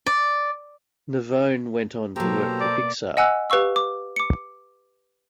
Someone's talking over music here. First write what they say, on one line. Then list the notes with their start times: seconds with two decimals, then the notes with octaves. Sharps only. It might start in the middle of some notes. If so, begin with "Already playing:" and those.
Navone went on to work for Pixar.
0.06 D5
2.16 B2 F#3 A#3 G4 A4 C5 A#5
2.60 D5
3.17 D#5 F#5 G#5 E6 F#6
3.50 G4 B4 F5 C#6 E6
3.76 D6
4.16 D6 C#7